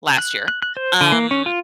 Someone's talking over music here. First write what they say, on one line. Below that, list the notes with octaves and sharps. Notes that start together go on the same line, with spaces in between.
last year. Um,
F#6
F#6
F#6
C5
D3
A#3
C#4
F4